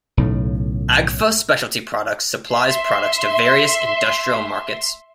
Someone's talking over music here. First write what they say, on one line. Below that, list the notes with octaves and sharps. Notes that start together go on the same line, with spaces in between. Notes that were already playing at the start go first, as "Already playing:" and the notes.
Agfa Specialty Products supplies products to various industrial markets.
B1 A2 C#3
E5 C6